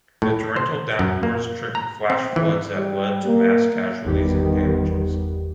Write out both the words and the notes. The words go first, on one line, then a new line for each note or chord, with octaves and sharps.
The torrential downpours triggered flash floods that led to mass casualties and damages.
A2
C5
F#2
A#3
A#5
C4
E3
G3
A#3
G1 E2 D#3 G3 B3 G4